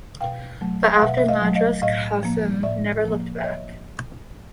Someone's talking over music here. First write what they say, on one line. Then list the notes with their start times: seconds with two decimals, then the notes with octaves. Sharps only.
But, after Madras, Khasim never looked back.
0.21 B2 F5 G5
0.61 F#3 A3
0.97 F5
1.02 B2 E5 F#5
1.18 E5
1.28 D#5 F5
1.42 F#3 A3
1.55 D#5 F5
1.82 A2 D#5 F5
2.23 F3 A#3
2.63 A2 D5 E5
3.04 F3 A#3
3.38 E5
3.44 C#5 D#5